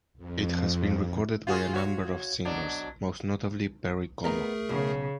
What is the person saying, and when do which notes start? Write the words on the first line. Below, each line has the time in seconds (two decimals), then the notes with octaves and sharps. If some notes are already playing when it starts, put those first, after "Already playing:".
It has been recorded by a number of singers, most notably Perry Como.
0.18 F2
1.47 F4 F#4 G#4
1.73 F#4 C#5
2.45 B2 F#3 D4
4.24 A3 B3 G#4 A#4 D#5 A#5
4.69 B1 C#3